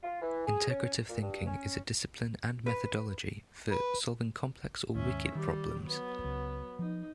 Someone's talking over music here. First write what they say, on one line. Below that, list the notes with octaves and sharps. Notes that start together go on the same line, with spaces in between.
Integrative thinking is a discipline and methodology for solving complex or wicked problems.
F4
E3
G#4
C#4
A#2
G2
C#4
B4
B4
D#2 G#2 C#4 E5
D#3 G3 G4
F#3 B3
C#2
F3 D#4